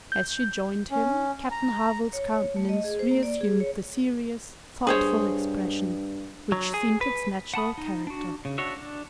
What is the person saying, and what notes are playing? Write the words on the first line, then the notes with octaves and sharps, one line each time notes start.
As she joined him, Captain Harville's countenance re-assumed the serious, thoughtful expression which seemed its natural character.
G6
C#4
A#5
C#5
C#5
A3
D#5
G#4
C5
A#3
D5
G#4
C#5
G2 G#4 C5 C#5
F#3
G#4
B4
F#5 A5 B5 D#6
D#4
D4 F#4
C#3
D4 F#4 C#5 E5
D4